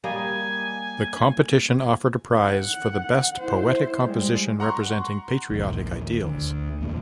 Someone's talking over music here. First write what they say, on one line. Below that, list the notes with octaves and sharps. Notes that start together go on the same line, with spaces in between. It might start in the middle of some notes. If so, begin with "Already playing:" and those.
The competition offered a prize for the best poetic composition representing patriotic ideals.
G3 A#3 D#5 G#5
F#5
E4 C5
G3 G#3
F#5 A#5 C6 C#6
A#1 D#2
D2
E2 A#2